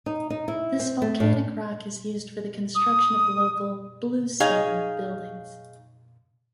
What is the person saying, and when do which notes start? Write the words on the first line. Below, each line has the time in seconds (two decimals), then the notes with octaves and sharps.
This volcanic rock is used for the construction of local "bluestone" buildings.
0.06 D#4
0.30 D#4
0.48 E4
0.79 C4
1.02 A3
1.20 A2
2.75 D#6
4.40 D#4 G#4 C#5 F5